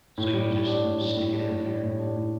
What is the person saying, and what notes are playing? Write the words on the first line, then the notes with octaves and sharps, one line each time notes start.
So you just stick it in there,
A2
G3
A2
D4
A2
G3
A2
D4
A2
G3
A2
D4
A2